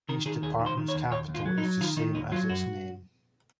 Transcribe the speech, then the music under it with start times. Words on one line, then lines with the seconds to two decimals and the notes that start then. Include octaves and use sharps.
Each department's capital is the same as its name.
0.09 D#3 A#4
0.26 D#3 G#4
0.42 D#2 G#4
0.60 D#3
0.66 C5
0.77 D#3
0.88 C#5
0.95 D#2
1.11 D#2 C#5
1.29 D#2
1.35 F4
1.46 F#3
1.58 D#4
1.63 F#3
1.81 D#3 F4
1.97 D#3 D#4
2.15 D#2 D#4
2.32 F#3 F4
2.49 F#2 F#4